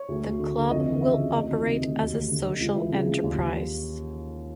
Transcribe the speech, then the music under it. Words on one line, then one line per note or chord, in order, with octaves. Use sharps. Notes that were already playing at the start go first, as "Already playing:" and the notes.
The club will operate as a Social enterprise.
Already playing: C#5
D2
D2
D3
D3
F2 D#5
E3
C#3 E5
F2
D2 D#5
D#3
C3
D2
D#2
D#2
D3
D3
C#2
E3
C#3
C#2
D#2